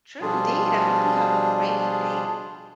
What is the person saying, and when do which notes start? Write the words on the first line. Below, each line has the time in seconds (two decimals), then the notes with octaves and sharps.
True indeed, I hope you have a great evening.
0.21 B2 F3 G3 D4 F4 G#4